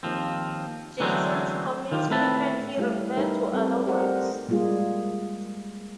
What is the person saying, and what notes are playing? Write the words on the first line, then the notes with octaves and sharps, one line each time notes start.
Jason's comics frequently refer to other works.
D#2 F3 C4
D3 E3 F#3 G#3 A3 C4
D#3 F4 G4
A2 C4 B4 E5 A5
G3 A3 E4 G4 F5
G3 D#4 A#4 B4 E5
G3 C4 A4
G4 A#4 C5 D5 D#5 F#5
G3 G#3 A#3 F4 G#4